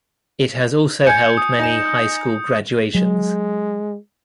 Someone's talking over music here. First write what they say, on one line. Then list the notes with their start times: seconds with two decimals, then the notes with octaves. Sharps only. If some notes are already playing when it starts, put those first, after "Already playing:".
It has also held many high school graduations.
1.07 G#5 G6 G#6 C#7
1.37 D#6
1.59 D#4 G#5 E7
2.95 F#3 G#3